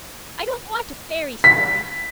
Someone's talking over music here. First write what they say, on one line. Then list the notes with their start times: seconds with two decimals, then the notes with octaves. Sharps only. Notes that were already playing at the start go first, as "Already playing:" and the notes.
I don't want a fairy story.
1.44 B6